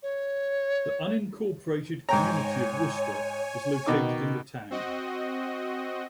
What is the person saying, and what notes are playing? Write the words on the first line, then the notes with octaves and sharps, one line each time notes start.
The unincorporated community of Worcester is located in the town.
C#5
G#2 C#5 G5 G#5 A#5
B2 D#3 D6
C4 F#4 D#5